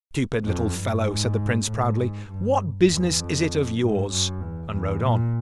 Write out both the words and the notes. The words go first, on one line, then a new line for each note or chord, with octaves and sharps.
'Stupid little fellow,' said the Prince, proudly; 'what business is it of yours?' and rode on.
F2
G2
G#2
A2
G#2
G2
E2
F2
G#2
F#2
E2
E2
A#2